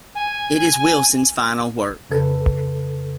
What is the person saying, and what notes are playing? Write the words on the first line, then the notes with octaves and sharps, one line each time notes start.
It is Wilson's final work.
G#5
F2 C#3 A4 B4